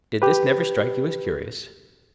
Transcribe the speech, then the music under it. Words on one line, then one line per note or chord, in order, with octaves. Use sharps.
Did this never strike you as curious?
G4 B4